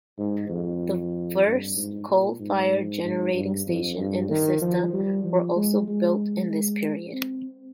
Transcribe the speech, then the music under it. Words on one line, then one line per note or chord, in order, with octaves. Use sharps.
The first coal-fired generating stations in the system were also built in this period.
G#2
F2
G2
G#2
A#2
G#2
G#2
G2
F2
G2
D#3
F3
G3
F3
G#3
G#3
G#3
C4